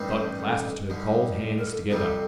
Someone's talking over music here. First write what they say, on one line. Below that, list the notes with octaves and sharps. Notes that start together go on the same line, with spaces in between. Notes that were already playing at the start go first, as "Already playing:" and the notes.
Dot clasped her cold hands together.
Already playing: A1 G2 D#3 G3 C4
A4
A4
D#2 D3 G3
A4
A#4
A4
F2 C3 G3 C4 A4